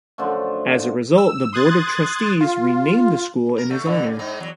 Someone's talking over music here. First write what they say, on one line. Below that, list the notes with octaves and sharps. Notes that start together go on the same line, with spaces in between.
As a result, the Board of Trustees renamed the school in his honor.
F#2 D3 F3 A3
E6
C6 D#6 F#6 G#6 A6
F4
A#4
D3 A3
A#2 D3
C#3
G#2 D#4
E2 F#3